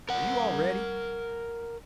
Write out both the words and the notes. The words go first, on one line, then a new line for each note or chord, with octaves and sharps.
Are you all ready?
A#4 F#5